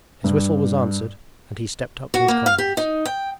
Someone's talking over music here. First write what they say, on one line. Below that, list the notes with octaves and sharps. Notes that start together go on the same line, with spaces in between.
His whistle was answered and he stepped up to his comrades.
G2
F#4
A#3
F5
G4
D#4
G5